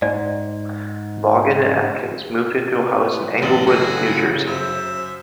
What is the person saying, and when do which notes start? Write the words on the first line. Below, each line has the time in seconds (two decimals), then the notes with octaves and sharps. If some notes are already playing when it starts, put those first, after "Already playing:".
Vaughan and Atkins moved into a house in Englewood, New Jersey.
0.02 G#2 D5
2.73 C3 B4
3.42 A1 F#2 D5 D#5
3.67 C#3 F#4 G#4 A4
4.47 F#2 C5 E5